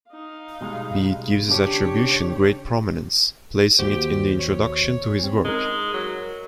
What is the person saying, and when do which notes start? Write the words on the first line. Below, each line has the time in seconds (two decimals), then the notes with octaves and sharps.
Bede gives this attribution great prominence, placing it in the introduction to his work.
0.11 D#4 F5
0.61 B2 G3 G#3
1.49 C#3 D4 G4 C#5
3.79 D#2 F#4 G4 C5
4.39 C#5
5.19 C4 C#4
5.44 G#3 D#4 A#4
5.93 F#3